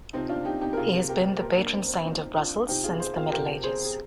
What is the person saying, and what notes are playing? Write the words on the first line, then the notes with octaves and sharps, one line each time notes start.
He has been the patron saint of Brussels since the Middle Ages.
C3 F3 C4 D#4
D4 F4
D#4 G4
D#4 G4
A#4
C3 F3 F4 G#4
G4 A#4
A#2 F3 G4 A#4
A#3 D4
C4
C4
A#2 F3 C4 D#4
D4 F4
C3 F3 D#4 G4
F4 G#4
G#4 C5
F4 G#4
C3 F3 G4 A#4
G#4 C5
G#4